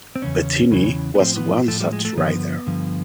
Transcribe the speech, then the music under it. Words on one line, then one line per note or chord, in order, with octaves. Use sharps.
Bettini was one such rider.
C4
E2 C#3 C#4
E2 C#3 E3
B3
A2 F3 C4
B3
A2 F3 A3
G3
G#3
A3
G2 D3 F3 B3
G2 D3 F3